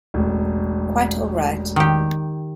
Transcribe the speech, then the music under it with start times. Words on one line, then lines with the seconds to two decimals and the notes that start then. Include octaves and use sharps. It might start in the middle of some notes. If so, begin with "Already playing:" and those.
Quite all right.
0.14 E1 A1
1.76 D#3 G4